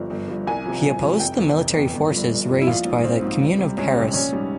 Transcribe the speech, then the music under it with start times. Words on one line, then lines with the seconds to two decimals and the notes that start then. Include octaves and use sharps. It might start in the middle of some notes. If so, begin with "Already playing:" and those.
He opposed the military forces raised by the Comune of Paris.
Already playing: G1 G2 F3
0.10 G1
0.28 G2 F3
0.47 C2 G#5
0.66 C3 F3
0.83 C2
1.02 C3 F3
1.20 F1 G5
1.38 E2 E3
1.58 F1
1.75 E2 E3
1.93 G1
2.11 G2 F3
2.30 G1
2.49 G2 F3
2.61 E4
2.67 A#1 F4
2.85 G#2 F3
3.04 A#1 C4
3.22 G#2 F3
3.41 C#2
3.58 C3 G3
3.77 C#2 C#4
3.96 C3 G3
4.13 A#1 C#4
4.32 G#2 G3